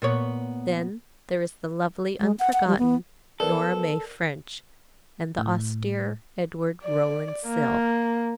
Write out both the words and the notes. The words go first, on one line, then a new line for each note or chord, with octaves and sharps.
Then there is the lovely unforgotten Nora May French and the austere Edward Rowland Sill.
A#2 B3 C#5
G#3
F#5
F#5
G3
B3
F3 B3 A4 A#4 D5
A2
D5
A#3